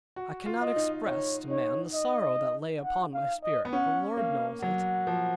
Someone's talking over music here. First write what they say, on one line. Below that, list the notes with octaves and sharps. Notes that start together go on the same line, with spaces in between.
I cannot express to man the sorrow that lay upon my spirit; the Lord knows it.
F#4
F4
D#5
D#4
D#4 C#5
D#4 C#5
D#5
F#5
F5
D#5
B3
C#4 F#5
A#3 F5
F#3 F#5
F3